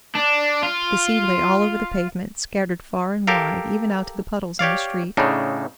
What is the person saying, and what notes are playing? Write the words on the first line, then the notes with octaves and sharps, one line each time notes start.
The seed lay all over the pavement, scattered far and wide even out to the puddles in the street.
D4
F4
G4 A4 A#4 F5
G4 C#5 D5 F5
A2 C#3 D4 D#4